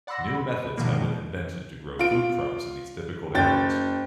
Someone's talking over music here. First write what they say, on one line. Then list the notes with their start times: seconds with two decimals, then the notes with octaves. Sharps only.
New methods have been invented to grow food crops in these difficult areas.
0.07 D5 F#5 B5 C6 E6 A#6
0.35 B5
0.77 G2 B2 D#3 F3 G#3 A#3
1.99 F4 D7
3.35 F#1 G5 A6